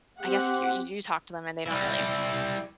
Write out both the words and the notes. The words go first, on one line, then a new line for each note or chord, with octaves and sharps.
I guess you you do talk to them and they don't really
C4 G4 F#5
G3 E4